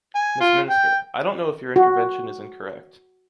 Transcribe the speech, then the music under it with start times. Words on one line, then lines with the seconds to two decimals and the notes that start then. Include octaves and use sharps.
Mrs. Minister, I don’t know if your intervention is incorrect.
0.15 G#5
0.40 F4
0.70 G5
1.76 F#4